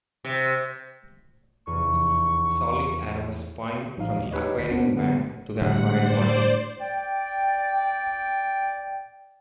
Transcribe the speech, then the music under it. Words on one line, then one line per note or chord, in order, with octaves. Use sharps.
Solid arrows point from the acquiring bank to the acquired one.
C3
F1 E2 C#6
A1 F3 D#4 F5
D#2
D#4 G4 B4 C#5 D#5
G1 D#2 B6
B3 C#4 D4 F#4 A#4 C5
D3 F3 B3 B4
A2 D3 G3 F#5
C5 D5
D5 G5